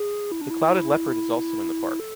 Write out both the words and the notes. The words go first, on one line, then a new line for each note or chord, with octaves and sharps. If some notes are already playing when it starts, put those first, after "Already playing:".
The clouded leopard is also in the park.
Already playing: G#4
E4
D4
E4
A4